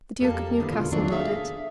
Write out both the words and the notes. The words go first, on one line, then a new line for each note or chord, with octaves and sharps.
The Duke of Newcastle nodded.
F2 G3 A#3 A4 A5
D3 E3 B3
D#2 G#2 B2 D3 F4
D#3 F3 F#3 A3 A#3 D4
G#4 A4 E5 F5